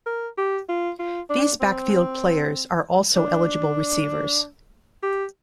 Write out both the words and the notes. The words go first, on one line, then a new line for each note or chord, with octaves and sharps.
These backfield players are also eligible receivers.
A#4
G4
F4
F4
D4
C4
D4
G4